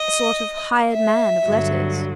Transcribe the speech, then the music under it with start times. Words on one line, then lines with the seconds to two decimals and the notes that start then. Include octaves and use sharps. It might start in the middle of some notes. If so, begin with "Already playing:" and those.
A sort of hired man of letters!
Already playing: D#5
0.92 E5
1.45 G2 D3 F#3